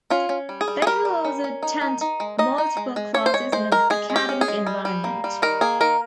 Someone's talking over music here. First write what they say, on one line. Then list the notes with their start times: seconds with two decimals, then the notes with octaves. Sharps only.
They will also attend multiple classes in an academic environment.
0.10 C#4 F4
0.29 C#4
0.49 G3
0.61 G#4
0.68 G3
0.82 G#4
0.86 G3 A#4
1.05 G3
1.25 C#4
1.44 C#4
1.63 D#4
1.81 D#4
2.01 D#4
2.20 G#3
2.39 D#4 D#5
2.58 D#4
2.77 G#3
2.96 G#3
3.14 C#4 C#5
3.26 C5
3.34 G#3 C#5
3.52 G#3 C5
3.72 G#3 A#4
3.90 G#3 G#4
4.10 G#3
4.16 G4
4.29 C#4
4.41 G#4
4.48 G#3
4.67 G3
4.85 G3
5.04 A#3
5.24 G3
5.42 D#3 A#4
5.61 A#3 G#4
5.81 D#3 A#4